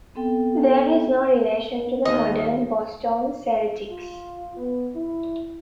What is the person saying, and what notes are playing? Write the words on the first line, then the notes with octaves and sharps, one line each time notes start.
There is no relation to the modern Boston Celtics.
B3 C4 A4 G5
D#2 D#5
F4
B3
E4